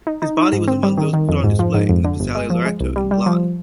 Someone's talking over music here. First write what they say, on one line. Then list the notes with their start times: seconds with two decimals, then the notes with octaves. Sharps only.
His body was among those put on display in Piazzale Loreto in Milan.
0.07 D#4
0.22 D#4
0.37 D#4
0.53 G#2
0.67 C4
0.83 G3
0.98 D#3
1.13 D#3
1.29 F2
1.44 G#2
1.59 F3
1.74 G#2
1.89 F2
2.04 D3
2.20 G1
2.35 G#3
2.50 F3
2.65 G#3
2.80 C2
2.96 G3
3.11 G3
3.26 F3